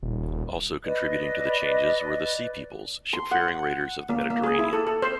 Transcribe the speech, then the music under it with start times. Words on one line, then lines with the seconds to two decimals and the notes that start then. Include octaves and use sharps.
Also contributing to the changes were the Sea Peoples, ship-faring raiders of the Mediterranean.
0.03 D#1
0.85 B4 D5 D#5
3.13 C6
3.31 F#5
4.09 A#3
4.30 A#3
4.43 G#4
4.59 E4
4.73 A4
4.87 A4
5.02 C5